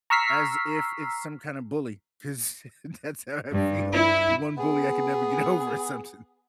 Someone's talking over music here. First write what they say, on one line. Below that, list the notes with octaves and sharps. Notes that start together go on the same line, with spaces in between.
as if it's some kinda bully 'cause that's how I feel. The one bully I could never get over or something.
A#5 C#6 E6 F6 B6 C7
G2
E4
B3 G#4